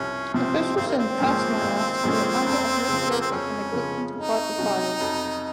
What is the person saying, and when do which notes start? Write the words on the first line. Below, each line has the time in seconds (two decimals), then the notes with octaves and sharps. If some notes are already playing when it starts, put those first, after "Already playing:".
Officials in Krasnoyarsk were under investigation for neglecting to fight the fires.
Already playing: C2 F3 C#4
0.34 C3 F3 C4
0.76 G#1 C4
0.88 A#3
0.98 C4
1.19 G#2 F3 A#3 C#4
1.61 G#1
2.04 G#2 F3 A#3 C#4
2.47 F2
2.88 C#3 F3
3.10 A#3
3.21 C4
3.31 F2 C#4
3.73 C#3 F3
4.16 F2 D#4
4.58 C3 F#3 C#4 F#4
5.01 F2